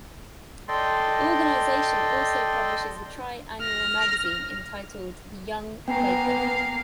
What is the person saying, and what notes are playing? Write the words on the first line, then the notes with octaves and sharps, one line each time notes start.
The organization also publishes a tri-annual magazine entitled The Young Quaker.
A4 D5 D#5 G5 C6
F6 A#6
A#3 B3 F5 G5 G#5 A#5